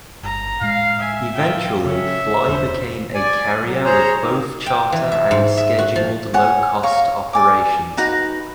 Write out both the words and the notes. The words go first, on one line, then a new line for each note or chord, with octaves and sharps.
Eventually Fly became a carrier with both charter and scheduled low-cost operations.
G1 A#5
A2 G#3 F5
E5 G#5
F4 G5
C#3 C#4 E5
E1 A#3 C#4 D4 C5
D5 G#5
F#3
G#4 C5 C#5 A#5
D#3
G5
E3
E5
G#2
E5
F#4
F3
C#5 F#5 G#5
C#5 F5 A#5 C#6
D5 G#5 D6
D#4 F#4 B4 A#5